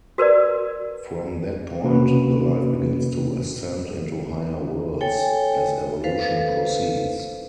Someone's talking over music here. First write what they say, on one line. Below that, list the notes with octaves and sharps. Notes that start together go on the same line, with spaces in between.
From that point the life begins to ascend into higher Worlds, as evolution proceeds.
F#4 A#4 B4 D5
C3 A#3 C#4 F#4 B4
A4 C#5 G5 G#5
A4 B4 C5 F5